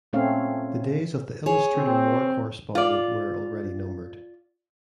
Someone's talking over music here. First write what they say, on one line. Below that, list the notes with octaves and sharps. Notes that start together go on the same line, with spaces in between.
The days of the illustrator war correspondent were already numbered.
A#2 A3 C4 C#4 C#5 F5
G#4 C#5
C4
F4 D5